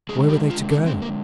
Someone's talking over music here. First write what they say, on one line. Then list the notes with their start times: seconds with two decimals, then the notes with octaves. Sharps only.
Where were they to go?
0.09 D3 G#3 G#4
0.29 G4
0.50 F4
0.70 D4
0.86 C4
1.02 A#3